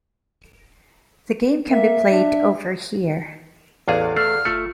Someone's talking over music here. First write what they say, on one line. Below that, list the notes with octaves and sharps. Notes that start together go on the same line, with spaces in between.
The game can be played over here.
A#3 E5
D4
A1 E2 G#4 D5 F5
A3 A4 F6 C7
G1 A3 F4 C#7